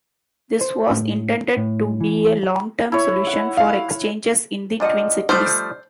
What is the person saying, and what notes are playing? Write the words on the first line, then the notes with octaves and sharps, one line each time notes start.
This was intended to be a long-term solution for exchanges in the Twin Cities.
C5
A2
A2
E3
E4 C#5
F#5
F5
A#2 F3 D4 D#5 F#5
F3 G3 A3 C5